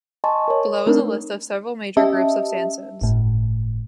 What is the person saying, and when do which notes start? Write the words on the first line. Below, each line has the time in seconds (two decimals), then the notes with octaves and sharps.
Below is a list of several major groups of sandstones.
0.24 D#5 G#5 A5 C6 C#6
0.48 A#4 C#5
0.86 A3 C4 D4 D#4 A#4
1.97 C#4 G4 D#5 E5 A5
3.01 G1 A2